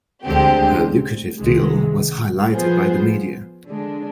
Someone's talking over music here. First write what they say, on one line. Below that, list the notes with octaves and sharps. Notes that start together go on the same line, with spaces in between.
Her lucrative deal was highlighted by the media.
D2 D3 G#3 C4 G4
C2 C3 D#3 G#3
F3 B3 F4 G#4 C5
D3 G#3 D4